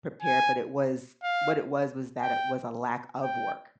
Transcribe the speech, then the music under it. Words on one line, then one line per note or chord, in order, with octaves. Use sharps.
prepared, but it was what it was was that it was a lack of work.
G#5
F5
G5
G5